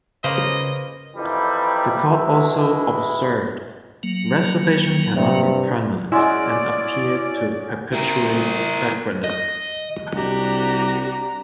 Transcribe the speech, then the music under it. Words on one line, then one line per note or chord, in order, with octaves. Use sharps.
The court also observed, "Reservation cannot be permanent and appear to perpetuate backwardness".
C#3 A#3 B4 C5 D#5
F2 D#3 E3 G3 D#4 E4
B2 G#3 B3 E4
F#3 A#3
G2 C3
G#3 C#4 E4 F#4 D5 G#5 C6 D6
E4 A#4
D#5
C2 D4 F#4 G4 A#5